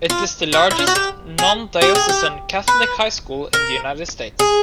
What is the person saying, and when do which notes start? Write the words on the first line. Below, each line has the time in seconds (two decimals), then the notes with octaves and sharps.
It is the largest non-diocesan Catholic high school in the United States.
0.10 F4
0.52 F#4
0.71 E4
0.79 F4
0.87 F#4
0.95 G4
1.38 G#4
1.81 G4
1.95 G#4
2.09 G4
2.68 B4
3.53 A#4
4.39 G#4